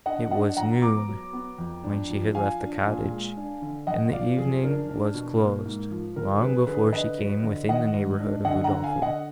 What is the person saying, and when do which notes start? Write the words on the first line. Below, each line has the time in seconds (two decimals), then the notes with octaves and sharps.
It was noon, when she had left the cottage, and the evening was closed, long before she came within the neighbourhood of Udolpho.
0.06 D4 D#5 F#5
0.31 D4 D#5 F#5
0.57 F3 F#5 A#5
0.82 B3 A#5 D6
1.08 F#3
1.33 B3
1.58 F2
1.84 D4
2.10 F3
2.35 F3 F5 G#5
2.60 D4
2.85 A#2
3.11 G#3
3.36 D4
3.62 D3
3.87 F#2 D#5 F#5
4.13 F3 D5 F5
4.38 F#2 G#4
4.63 D4 A#4
4.89 D4
5.14 B2
5.40 A#3
5.65 G#2
5.91 F3
6.16 D3 A#4
6.42 F#3 G#4 B4
6.67 D3 G#4 B4
6.93 D3 B4 D#5
7.18 F#3
7.43 D3
7.69 D#3 D#5 F#5
7.94 G#2
8.20 D4
8.45 D3 D#5 F#5
8.64 F#5 A#5
8.71 D3
8.83 F5 G#5
8.96 D3
9.02 D#5 F#5